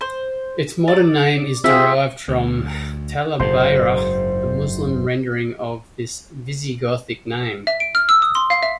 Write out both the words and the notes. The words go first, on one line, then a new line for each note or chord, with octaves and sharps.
Its modern name is derived from "Talabayra", the Muslim rendering of this Visigothic name.
C5
D5
C4 F4 G#4 E5
D2
F#1 G#2 C5
E5
D7
F6
E6
D#6
C6
F5
E5